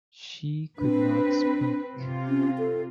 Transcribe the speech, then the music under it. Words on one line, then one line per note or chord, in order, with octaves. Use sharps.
She could not speak.
C4 D4 B4
C3 F4
C#4
A4